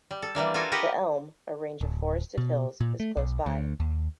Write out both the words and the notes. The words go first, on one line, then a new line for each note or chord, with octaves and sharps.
The Elm, a range of forested hills, is close by.
G3
A4
E3 G3 A#3 D4
F4 F#4 A4 A#4 G#5
G4 A#4 B4 D#5 F#5
D1
B2
A#2
A3
B1
D2
D#2